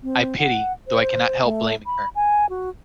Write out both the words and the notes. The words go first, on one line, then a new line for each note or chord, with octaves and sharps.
I pity, though I cannot help blaming her.
C4
F#5
C5
A3
B5
G#5
F#4